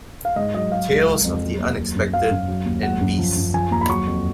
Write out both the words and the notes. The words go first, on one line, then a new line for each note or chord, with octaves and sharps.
"Tales of the Unexpected" and "Beasts".
F5
G#2 D#5
F#3 D#5
F#3 F5
C#2
F#3
F2
F#3
D#2
F#3
F#2
F#3 F5
F#2
F#3
D#2
F#3 F#5
F#2
F3
F#2
F3 G#5
D#2 A#5
B5
F#3 C#6
F2